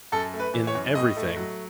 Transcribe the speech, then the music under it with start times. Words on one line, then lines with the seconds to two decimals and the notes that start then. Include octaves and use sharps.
"In everything."
0.12 F#2 A4
0.33 A3
0.40 B4
0.54 E3
0.67 C#5
0.75 F#2
0.95 A2 D#5
1.16 A3
1.36 F#3